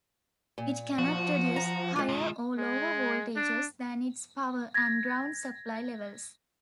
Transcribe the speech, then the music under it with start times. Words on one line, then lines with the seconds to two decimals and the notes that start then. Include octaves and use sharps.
It cannot produce higher or lower voltages than its power and ground supply levels.
0.58 A#2
0.98 F3 F#4
1.56 A#5
1.96 G#3 F4
2.09 C3 D#3
2.58 G#3
3.36 D4
4.74 G#6 A#6